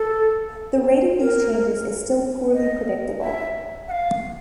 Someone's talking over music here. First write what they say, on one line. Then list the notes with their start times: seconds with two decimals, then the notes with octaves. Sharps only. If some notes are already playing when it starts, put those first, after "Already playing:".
The rate of these changes is still poorly predictable.
Already playing: A4
1.20 A#4
2.54 D#5
3.21 E5
3.88 F#5
3.91 F5